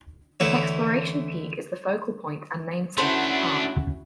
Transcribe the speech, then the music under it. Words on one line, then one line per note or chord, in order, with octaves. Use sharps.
Exploration Peak is the focal point and namesake of the park.
D2 E3 C#5
A3 C#4 D4 E4 F#4 A4 B4 C5